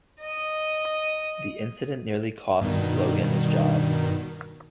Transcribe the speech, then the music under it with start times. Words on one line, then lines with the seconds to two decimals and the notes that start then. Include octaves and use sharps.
The incident nearly costs Logan his job.
0.21 D#5
2.61 G2 B2 D#3